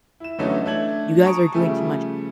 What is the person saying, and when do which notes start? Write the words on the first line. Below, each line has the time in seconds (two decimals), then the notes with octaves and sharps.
You guys are doing too much."
0.20 E4 E7
0.39 D3 E3 F#3 A3 C#4 D#4
0.66 A3 D4 G#6 F#7
1.25 A5 A#5 C#6 D#6 D7
1.54 C#3 F3 G3 A3 G#5